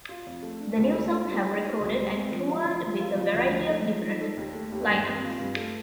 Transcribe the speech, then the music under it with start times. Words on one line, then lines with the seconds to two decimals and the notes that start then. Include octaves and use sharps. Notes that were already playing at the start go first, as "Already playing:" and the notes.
The New South have recorded and toured with a variety of different lineups.
0.09 F4
0.27 F2
0.43 A3
0.60 D4
0.77 D2
0.95 A3
1.11 D4
1.28 G3
1.46 D#4
1.63 G4
1.80 D2
1.98 G3
2.14 C4
2.32 F3
2.49 F4
2.66 F3
2.83 F3
3.00 F4
3.17 F3
3.34 D2
3.51 F3
3.69 A3
3.85 F3
4.02 D#4
4.21 A4
4.37 D#2
4.54 A3
4.72 D#2
4.89 G2
5.05 C4
5.22 F4
5.40 G2
5.56 A3